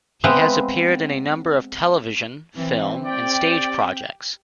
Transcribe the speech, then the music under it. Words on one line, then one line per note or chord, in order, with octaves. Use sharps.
He has appeared in a number of television, film, and stage projects.
G#3 B3 C4 B4 E5 F5
E3 C4
G4 D5 G5